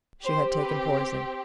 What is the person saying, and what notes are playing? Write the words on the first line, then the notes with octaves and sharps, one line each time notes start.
She had taken poison.
C4 G4 C5
B4